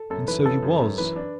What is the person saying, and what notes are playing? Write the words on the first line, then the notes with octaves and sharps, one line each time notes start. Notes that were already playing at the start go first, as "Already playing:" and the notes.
And so he was.
Already playing: A4
F#2 A4
E3 B4
C#3 A4
F#2
F#2
E3 B4
D4